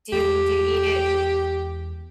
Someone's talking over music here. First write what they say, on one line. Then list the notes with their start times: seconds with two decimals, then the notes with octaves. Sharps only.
Do you do you eat it l
0.12 E2 G#3 G4